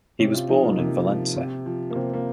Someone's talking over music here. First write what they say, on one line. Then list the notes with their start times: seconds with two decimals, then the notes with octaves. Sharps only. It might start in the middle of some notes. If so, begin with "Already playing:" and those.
He was born in Valence.
0.19 C3 C#4
0.34 F4
0.49 F3 D#4
0.63 A#3
0.78 C3
1.08 F3
1.36 C3
1.66 F3
1.90 A#3
1.95 C3 C4
2.13 A#3